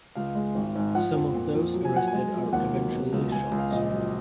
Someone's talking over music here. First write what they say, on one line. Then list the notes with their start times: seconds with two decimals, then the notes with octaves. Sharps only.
Some of those arrested are eventually shot.
0.15 C#2 F5
0.35 G#3
0.55 G#1
0.75 G#2
0.95 F3 F#5
1.14 F2
1.35 A#2
1.54 F3
1.73 F#3
1.85 G#5
1.94 F#3 F#5
2.07 G#5
2.13 G#3
2.34 F3
2.52 D#2 F#5
2.73 F#3
2.92 B2
3.12 C#2
3.32 C#2 G#5
3.51 C#2
3.58 F5
3.71 A#1 D#5
3.91 F#3